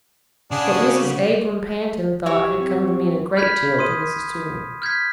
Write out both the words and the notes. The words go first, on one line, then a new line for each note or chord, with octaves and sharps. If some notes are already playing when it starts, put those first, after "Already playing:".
What Mrs. Abram Pantin thought had come to mean a great deal to Mrs. Toomey.
C#3 D4 G#4 F#5
F#4
E4 F#4 G4 C#5
F#3 C4
B5 F6 G6 G#6 B6
C6 D#6 D#7
F6 G6 G#6 B6